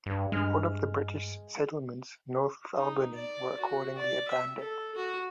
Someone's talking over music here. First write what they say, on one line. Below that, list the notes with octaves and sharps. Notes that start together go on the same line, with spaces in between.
All of the British settlements north of Albany were accordingly abandoned.
G2
G2 G#3 F6
D#4
D5
F#4
D5
E5
A4
F#4